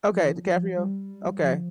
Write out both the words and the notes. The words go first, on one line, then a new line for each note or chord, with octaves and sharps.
Okay, DiCaprio. Okay.
F3
E3
F3
F3
G3
F3